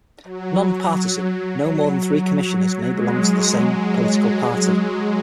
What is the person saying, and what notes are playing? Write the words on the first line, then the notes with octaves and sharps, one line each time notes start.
Non-partisan, no more than three Commissioners may belong to the same political party.
F#3
G#3
G#3